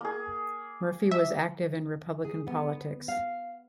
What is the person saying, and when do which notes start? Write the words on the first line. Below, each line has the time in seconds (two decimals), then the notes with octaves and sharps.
Murphy was active in Republican politics.
0.01 A#3 G#4
1.11 E5
2.24 G#4
2.47 B3
3.08 F5